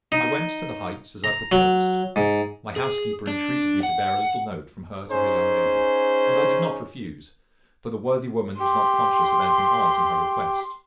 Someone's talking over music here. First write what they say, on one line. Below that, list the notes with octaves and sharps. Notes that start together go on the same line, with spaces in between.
I went to the Heights as I proposed: my housekeeper entreated me to bear a little note from her to her young lady, and I did not refuse, for the worthy woman was not conscious of anything odd in her request.
D#4
A#5
F#3
G#2
G#4
D4
F#5
C#4 D#4 G#4 C5
G4 C6